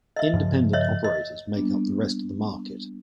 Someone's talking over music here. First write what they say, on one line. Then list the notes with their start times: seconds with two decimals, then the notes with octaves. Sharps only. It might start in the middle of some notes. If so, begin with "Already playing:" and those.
Independent operators make up the rest of the market.
0.16 D#5 E5
0.34 G2 C#3 F3
0.73 C#5 D#5 E5
1.04 D#5
1.54 G3 A#3 B3 D4